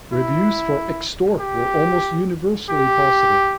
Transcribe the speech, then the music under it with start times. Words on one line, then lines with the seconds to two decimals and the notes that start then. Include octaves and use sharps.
Reviews for "Xtort" were almost universally positive.
0.12 E4
1.40 G4
2.69 G4